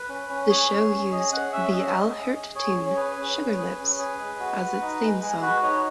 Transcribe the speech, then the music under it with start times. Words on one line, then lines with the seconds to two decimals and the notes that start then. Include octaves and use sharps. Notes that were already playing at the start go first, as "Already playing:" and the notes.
The show used the Al Hirt tune "Sugar Lips" as its theme song.
Already playing: B4
0.09 C#4
0.30 C#4
0.50 G#4 C#5
0.71 C#4
0.91 C#4
1.12 G#4 D#5
1.32 C#4 F#5
1.53 C#4 E5
1.73 C#4 D#5
1.94 G#4
2.14 G#4
2.35 G#4
2.55 G#4 C#5
2.75 C#4
2.86 C#5
2.96 G#4 B4
3.17 C#4
3.38 C#4
3.58 G#4
3.79 C#4
3.99 G#4
4.19 G#3
4.40 F#4
4.60 F#4
4.81 D#4
5.01 G#3
5.22 G#3
5.42 F#4 B4
5.62 D#4 C#5